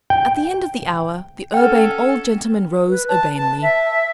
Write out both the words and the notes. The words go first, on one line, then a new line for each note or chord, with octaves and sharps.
At the end of the hour, the Urbane Old Gentleman rose urbanely.
G5
C#4 A4 F#5 G5 F6
B4
A5
A5
E5